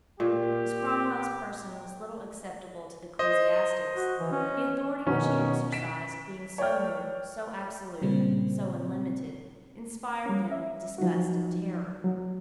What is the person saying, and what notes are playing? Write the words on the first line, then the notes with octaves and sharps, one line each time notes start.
As Cromwell's person was little acceptable to the ecclesiastics, the authority which he exercised, being so new, so absolute, so unlimited, inspired them with disgust and terror.
A#2 G4
C5 D#5
F#4
E3
C#4
B2 D#3 C#4
B6 D7 E7
C#5 D5 G5 F6
A#2 C#3 G3 C4
G3 C#4
E5
F3 F#3 D#4 F#4
F#3